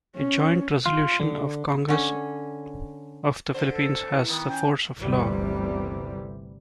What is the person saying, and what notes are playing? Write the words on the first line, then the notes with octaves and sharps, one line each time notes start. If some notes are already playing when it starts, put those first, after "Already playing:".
A joint resolution of the Congress of the Philippines has the force of law.
C#4
F4
D3
D3 C#4
D3 C5
A4
E4 B4 C#7
D#3 B3
C#4 G5 G#5
G1 D2 C3 E3 G3